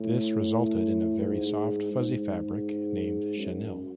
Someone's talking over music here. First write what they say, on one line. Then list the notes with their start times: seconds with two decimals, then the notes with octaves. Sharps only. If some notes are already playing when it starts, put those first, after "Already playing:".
This resulted in a very soft, fuzzy fabric named chenille.
Already playing: A2
1.21 G#2
1.93 G#2
3.38 F#2